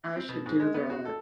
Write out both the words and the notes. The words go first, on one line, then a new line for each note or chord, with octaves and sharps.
I should do that.
C4
B2
G#2
G#3
B3
F#4
A4